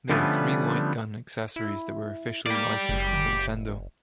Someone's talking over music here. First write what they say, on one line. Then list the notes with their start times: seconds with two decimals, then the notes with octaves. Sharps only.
There are three light gun accessories that were officially licensed by Nintendo.
0.10 D3 F3 G3 A3 B3 C#4
1.56 E4
2.47 A#3 G4 D5
2.89 F#1